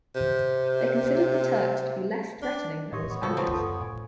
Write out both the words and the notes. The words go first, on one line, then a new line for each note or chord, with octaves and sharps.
They considered the Turks to be less threatening than the Spaniards.
C3
D4
A2 G4 A#4 C#5 D#5 E5
B3 C#5
C#3 F3 F#4 A4
F3 C4 A#5 C#6 D#6
F#2 F4 A4 B4
A2 G#5